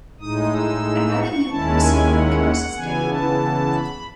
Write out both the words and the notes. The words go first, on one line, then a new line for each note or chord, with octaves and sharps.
Another new person in her class is Davy.
A2 G#3 D#4 D#6
E6
C#6
D#2 D#3 G#3 C#4 E4 A5
G#5
F#5
C#3 E3 B3 G#5
A5
B5